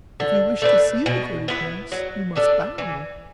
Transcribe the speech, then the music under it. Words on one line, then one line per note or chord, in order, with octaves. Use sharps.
If you wish to see the fairy prince you must bow.
D3
A3 D4 B4
B2
B3 E4 B4
F#3
B3 D4 A4
E3